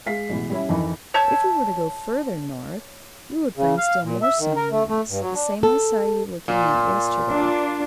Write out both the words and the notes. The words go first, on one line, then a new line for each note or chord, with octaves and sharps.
If you were to go farther north, you would find still more snow and ice, the same I saw you looking at yesterday.
G#3 F5 B6 C7
A1 B2 E3 G#3
G3 C#4 E4
F2 D#3 E3
C#5 E5 A5 G6
C#3
F5
A#2
E5
D#3
A#4
A3
A3
G2
F#3
D4
A4
A#2
D4 F4